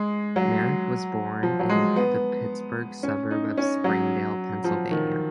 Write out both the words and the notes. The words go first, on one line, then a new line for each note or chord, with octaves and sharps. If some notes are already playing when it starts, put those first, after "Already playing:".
Merrick was born in the Pittsburgh suburb of Springdale, Pennsylvania.
Already playing: G#3
F#3
F3
F#3
G#3
B3
C#4
D#4
C#4
F#3
F3
D#3